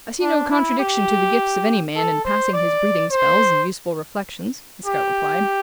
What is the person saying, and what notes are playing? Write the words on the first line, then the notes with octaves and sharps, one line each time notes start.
"I see no contradiction to the gifts of any man in passing his breathing spells in useful reflections," the scout replied.
D4
E4
G4
A4
C5
D5
C5
G4